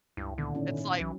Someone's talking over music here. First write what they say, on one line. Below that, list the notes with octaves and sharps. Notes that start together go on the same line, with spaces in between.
It's like
C#2 G2 E4
A#2 D3 D#3 B3
G#2 C#4 D#4 E4
G#2
B1 E3 F#3